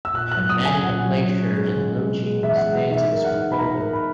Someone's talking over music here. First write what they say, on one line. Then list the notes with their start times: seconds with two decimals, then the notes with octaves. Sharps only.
A man in a plaid shirt and blue jeans stands on scaffolding.
0.05 E6
0.14 A#2 F#6
0.31 F#6
0.37 F#3
0.49 D#6
0.60 C#4
0.65 G#5
0.83 A#2 F#5
1.07 F#3
1.29 C#4
1.52 G#3
1.75 C#3
1.97 G#3
2.20 G#3
2.43 E3 E5
2.56 F#5
2.67 G#3
2.90 D#4 E5
3.12 A#4
3.24 F#5
3.35 D#4
3.52 B5
3.58 D#4 A#5
3.81 A#4
3.93 B5